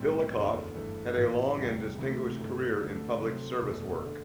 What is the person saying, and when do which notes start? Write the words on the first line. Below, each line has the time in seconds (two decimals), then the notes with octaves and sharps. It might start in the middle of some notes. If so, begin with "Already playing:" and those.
Billikopf had a long and distinguished career in public service work.
Already playing: B1 A2 G3 C4
0.34 F#1 E2 D3 A3
0.75 G1 G2 E3 A3
1.16 A1 A2 E3
1.57 E1 D2 C3 G3
1.98 D2 C3 E3 A3 C4
2.39 G2 D3 A3
2.79 D2 D3 A3 D4 A4
3.21 C3 F#3 A3 C4
3.62 F#1 E2 B2 A3
4.03 D3 A3 D4